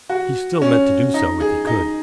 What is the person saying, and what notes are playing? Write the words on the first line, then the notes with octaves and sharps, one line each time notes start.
He still meant to do so, if he could.
F#4
C#4
D#4
G#4
D#4